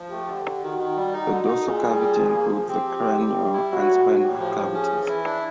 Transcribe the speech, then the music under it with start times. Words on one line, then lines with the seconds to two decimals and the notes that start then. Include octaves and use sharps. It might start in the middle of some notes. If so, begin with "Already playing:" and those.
The dorsal cavity includes the cranial and spinal cavities.
Already playing: F3
0.10 A3 G4
0.27 D3
0.46 D3
0.62 D#3 F#4
0.79 D#3
0.97 G3
1.13 D#4 F#4
1.31 D3
1.48 D#4
1.65 A#2 G#4
1.82 G3
2.00 A#2
2.17 F3
2.34 A#3
2.51 F3
2.68 C4 G4
2.85 F3
3.02 C4
3.19 G3 G4
3.37 G3
3.53 E4
3.71 F#3 F#4
3.88 A2
4.06 F#3
4.22 A2 G4
4.39 F3
4.57 F3
4.74 C#4 G#4
4.90 E3
5.08 E4
5.25 D4